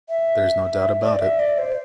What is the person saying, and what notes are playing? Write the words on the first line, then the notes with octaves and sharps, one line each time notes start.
There's no doubt about it.
E5
D5
E5
D5
C5